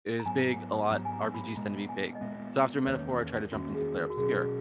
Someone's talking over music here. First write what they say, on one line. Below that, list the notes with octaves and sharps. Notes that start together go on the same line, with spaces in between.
It was big, a lot RPGs tend to be big. So after Metaphor, I tried to jump into Clair Obscur,
A#5
G#2 F#3 B3 G#5
G#2 F#3 B3 A#5
G#5
A#5
B5
A#2 G#3 B3 A#5
G#5
D#5
A#2 G#3 B3 E5
B4
E2 D#3 A#3 C#4 C#5
A#4
E2 D#3 A#3 C#4 F#4
G#4
A#4
F#4
B2 F#3 C#4 G#4